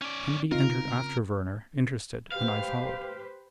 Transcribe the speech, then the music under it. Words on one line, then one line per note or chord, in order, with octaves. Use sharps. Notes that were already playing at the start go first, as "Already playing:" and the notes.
Kennedy entered after Werner, interested, and I followed.
C#4 D5
C#3 C4 D#4 F4 A#4
G4 B4 C5 F5